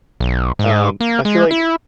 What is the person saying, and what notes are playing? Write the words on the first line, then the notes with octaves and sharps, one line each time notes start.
Um, I feel like
B1
G#2
A#3
G#3
E4